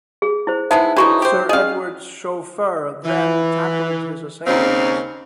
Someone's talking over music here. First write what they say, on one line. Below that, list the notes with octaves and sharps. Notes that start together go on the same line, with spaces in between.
Sir Edward's chauffeur then tackled his assailant.
G#4
E4 C5
G#3 B3 D#4 E4 C5 E5
C#3 E3 D4 D#4 F#4 C#6
G4 C5
C#4 G#4 D#5 F5
E3
D#2 C#3 C4 C#4 D#4 F5